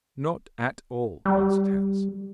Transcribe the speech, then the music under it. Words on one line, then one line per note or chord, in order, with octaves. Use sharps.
'Not at all!' answered Hans.
G3